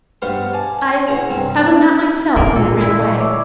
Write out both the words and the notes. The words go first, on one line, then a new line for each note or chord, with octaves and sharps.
I--I was not myself when I ran away.
G2 G3 B3 C5 F5 C#6
D5 G#5 A5
B3 E4 G#4 A#5 B5
C2 G2 C4
D3 A#3
A#2 A4
E4
D5 D#5 C#6
C#5 E5 D6 E6